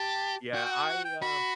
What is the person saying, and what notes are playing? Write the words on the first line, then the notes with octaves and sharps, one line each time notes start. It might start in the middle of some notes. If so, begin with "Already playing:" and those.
Yeah, I, uh
Already playing: G4 A5
F#4 G5
G5
F#5
F#5
G5
F#4 B5